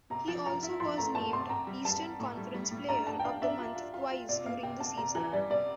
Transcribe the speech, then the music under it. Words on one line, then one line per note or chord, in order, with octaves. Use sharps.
He also was named Eastern Conference Player of the Month twice during the season.
C3 A#5
F3
F3 A#5
E4
F3 C6
A3 A#5
A3 A5
C3 C6
C4 A#5
G3
G3 A5
C4
A2
G3
G3
A2
D4 A#5
D4 A5
G5
D4 F5
D4 E5
F4
F4
F4
F4
C3 D5
A#3 F5
C3 G5
C3 A5
C3 A#5
E3 A#5
G3 D5
C3 D5